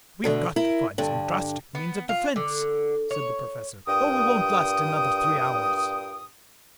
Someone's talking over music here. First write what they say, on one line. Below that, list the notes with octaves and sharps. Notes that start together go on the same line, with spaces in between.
"We've got to find some drastic means of defence," said the Professor, "or we won't last another three hours."
B2 D3 A3
E4 A#4
G2 D3
B3
F4
D3
C#5
G2 A#2 G5 D#6